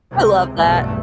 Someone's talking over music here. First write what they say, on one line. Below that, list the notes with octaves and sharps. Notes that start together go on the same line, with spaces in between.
I love that.
C#2 C3
B1 E2 G2 A3